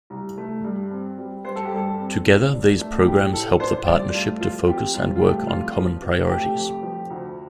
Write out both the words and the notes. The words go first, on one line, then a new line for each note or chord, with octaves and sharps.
Together these programmes help the partnership to focus and work on common priorities.
C2
A3
G2
C4
G3
G2 C5
A4
G4
G2 A4
C4
A2
D4
A3
A2 G4
A2 A4
D4 C5
G2 D5
A3 F4
F3 F4
C4 G4
G2 F4
F4
A3 G4
F2 F4
F3
C3
A3 G4
F2
F3
D2